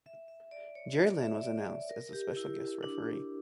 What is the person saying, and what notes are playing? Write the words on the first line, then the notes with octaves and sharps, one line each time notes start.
Jerry Lynn was announced as the special guest referee.
E5
E5
D5
C#5
D5
E5
D5
A#4
G4
E4
D4
D4